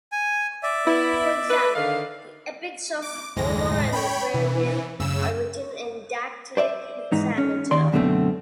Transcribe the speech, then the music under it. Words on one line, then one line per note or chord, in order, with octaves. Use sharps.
For example, the epics of Homer and Vergil are written in dactylic hexameter.
G#5
D5 E5
B3 E4
B4
D3 D#3 F5
D6
F#1 D#2 A2 F3 G#3 A#6
C#4 C#5 G5 B5
B2 E3 D4
F#2 C#3 A3 E6
C5 D5 E5
G#2 E3 D#4
C#4
D#2 D#3 D5 C6
F#2 B2 D3 G#3 A3 C4